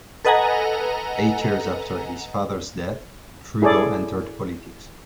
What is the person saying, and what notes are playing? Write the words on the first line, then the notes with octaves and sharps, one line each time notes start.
Eight years after his father's death, Trudeau entered politics.
A4 B4 D#5 F#5 G#5 A#5
E4 G#4 A4 C#5 D5